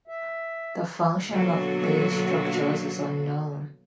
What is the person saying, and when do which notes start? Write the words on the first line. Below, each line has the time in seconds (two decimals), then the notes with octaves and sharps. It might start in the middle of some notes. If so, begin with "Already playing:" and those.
The function of these structures is unknown.
0.08 E5
1.30 B2 D3 F#3 A#3 F#4 A4